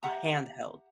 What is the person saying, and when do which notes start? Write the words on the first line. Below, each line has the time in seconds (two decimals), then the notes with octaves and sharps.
a handheld,
0.03 G4 E5 F#5 A#5